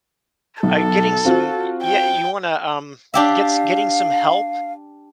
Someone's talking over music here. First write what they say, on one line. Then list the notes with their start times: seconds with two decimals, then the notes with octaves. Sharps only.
uh, uh, getting some yeah, you wanna, um, get s getting some help
0.63 B1 A4
1.25 C4 F4 F#4
1.83 G5
3.14 D4 G4 E5 F5